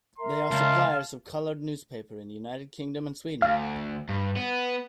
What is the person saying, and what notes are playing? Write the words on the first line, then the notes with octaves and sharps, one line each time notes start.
They are suppliers of colored newspaper in the United Kingdom and Sweden.
A#4 E5 A#5 C6
C#2 F5 A5
D2 F5
G2
B3